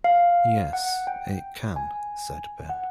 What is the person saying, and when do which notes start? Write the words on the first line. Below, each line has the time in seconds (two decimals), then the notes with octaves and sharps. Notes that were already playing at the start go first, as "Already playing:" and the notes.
"Yes, it can," said Ben.
0.04 F5
0.73 F#5
1.07 G5
1.76 G#5
2.69 F#5